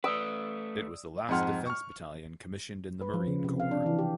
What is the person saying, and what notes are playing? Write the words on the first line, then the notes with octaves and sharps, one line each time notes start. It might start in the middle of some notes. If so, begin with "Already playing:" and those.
It was the last defense battalion commissioned in the Marine Corps.
A3 B4 D5 D#6 E6 D7
F2 G#2 F#5 C6 F6
C#6 F6
B4
F3
C#3
C3
F5
D4
E3
G4